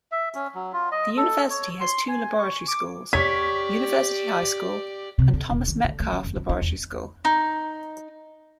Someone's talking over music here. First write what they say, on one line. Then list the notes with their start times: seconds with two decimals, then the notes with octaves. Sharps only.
The university has two laboratory schools: University High School and Thomas Metcalf Laboratory School.
0.12 E5
0.35 C#4
0.55 F#3
0.73 F4
0.92 D#5
1.17 A4
1.50 C#5
1.80 C6
2.08 G#5
2.39 C#6
2.68 D6
3.13 G4 C#5 D5 B6
5.19 C3
5.34 D3
5.51 E1
5.68 D#3
5.85 D3
6.00 A3
6.13 C#4
6.24 F2
6.36 F#2
6.49 D#4
6.62 E2
7.25 D#4